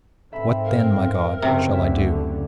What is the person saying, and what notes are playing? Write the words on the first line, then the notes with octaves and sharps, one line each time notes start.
What then, my God, shall I do?
G#2 C4 A4 E5 B5
A#4 F5
F#1 F#2 C3
D2 D3 E5